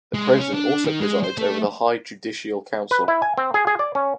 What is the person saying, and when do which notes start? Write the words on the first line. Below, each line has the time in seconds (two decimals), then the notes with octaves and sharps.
The president also presides over the High Judicial Council.
0.14 G#3
0.39 C#4
0.54 D4
0.85 D#3
1.00 G#3
1.24 C5
1.38 A3
2.91 B4
3.08 E4
3.22 G#5
3.38 C4
3.54 G#4
3.67 G#4
3.79 D5
3.95 C#4